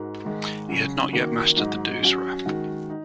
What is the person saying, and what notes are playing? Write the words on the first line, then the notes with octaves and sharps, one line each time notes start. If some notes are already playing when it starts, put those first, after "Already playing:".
He had not yet mastered the doosra.
Already playing: G#2 G#3 F#4 A#4
G#2 D#3 G#3 D#4
C#3 F#3 C#4 F#4
D#3 A#3 F#4
G#2 F#3 D#4
F#3 C#4 F#4
D#3 G#3 F#4
D#4